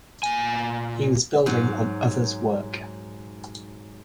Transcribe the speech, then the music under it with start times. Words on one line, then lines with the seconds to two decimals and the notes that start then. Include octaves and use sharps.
He was building on others work.
0.23 A#2 G#5
1.46 G#2 F#3